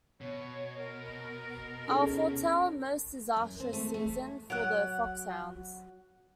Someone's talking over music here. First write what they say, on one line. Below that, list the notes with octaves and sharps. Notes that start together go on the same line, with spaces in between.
I'll foretell a most disastrous season for the foxhounds.
B2 C#5
A#4
C#4 G#4 A4
F#2
C4
A3
A3
F#3 F#5 F#6 D7